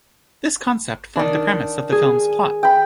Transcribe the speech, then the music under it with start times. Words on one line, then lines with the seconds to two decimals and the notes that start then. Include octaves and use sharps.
This concept formed the premise of the film's plot.
1.16 D#3 D4
1.92 G#4
2.63 G5 B5